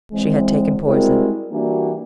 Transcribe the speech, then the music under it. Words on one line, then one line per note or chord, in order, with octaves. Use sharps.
She had taken poison.
E2 E3 G#3 C4
G3 G#3 C4 E4 F#4 A#4
E3 G3 A#3 D4 F#4